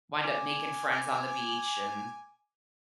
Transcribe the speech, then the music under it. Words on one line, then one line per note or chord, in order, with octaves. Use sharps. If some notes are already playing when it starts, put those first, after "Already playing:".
wind up making friends on the beach, and
G#5 D6